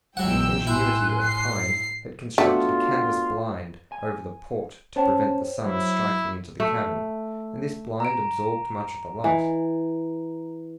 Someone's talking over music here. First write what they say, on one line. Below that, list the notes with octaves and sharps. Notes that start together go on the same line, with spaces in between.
The ingenuity of Pine had constructed a canvas blind over the port, to prevent the sun striking into the cabin, and this blind absorbed much of the light.
A#1 E2 F#3 G#3 F#5 G5 E6
A2 E4 G#5 C6 F#6
C7
A3 B3 D4 F4 F#4
G#5
C#4 C5 C#5 G5 A5
F#3 E4
A3
A#5 D7
E3